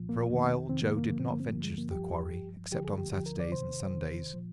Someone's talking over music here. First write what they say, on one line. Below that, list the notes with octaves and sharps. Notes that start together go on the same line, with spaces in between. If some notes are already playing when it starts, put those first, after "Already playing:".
For a while Joe did not venture to the quarry except on Saturdays and Sundays.
Already playing: C2 A#2 F3
A#3
F2 C3 D#3
F2 C3 D#3 C4
A#3
A#3
G2 D3 F3 A#3
C4
A#3
C4
G2 D3 F3 A#3
G#3
A#3
G2 F3 G4
G2 F3
D2 D3 F3 G4
G#4
G4
D2 D3 F3 G4
A#4
D5
F2 C3 D#3 C5
F2 C3 D#3
A#2 F3